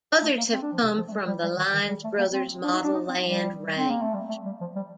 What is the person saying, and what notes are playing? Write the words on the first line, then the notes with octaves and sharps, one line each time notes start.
Others have come from the Lines Brothers Model-Land range.
A3
A#3
C4
D4
F3
C3
F3
A3
G3
G3
G3
D#3
D#3
G3
A3
A#3
C4
D4
D#4
D4
D#4
C4
G3
C4
A#3
A3
G3
A3
G3
F3
G3